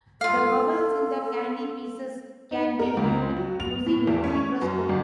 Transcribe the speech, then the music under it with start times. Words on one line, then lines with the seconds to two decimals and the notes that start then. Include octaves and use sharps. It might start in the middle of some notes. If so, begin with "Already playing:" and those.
The bubbles in the candy pieces can be viewed using a microscope.
0.21 F4 A4 F5
2.51 D#4
2.79 A#4
2.97 C#2
3.37 F#3
3.60 F7
3.86 A2
4.07 E2
4.24 C#4
4.62 F#2
4.89 G1